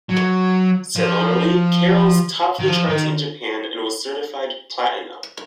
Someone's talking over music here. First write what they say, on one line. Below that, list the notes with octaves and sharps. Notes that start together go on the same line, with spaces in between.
Similarly, "Carols" topped the charts in Japan and was certified Platinum.
F#3
F3
D#3
F3
D#3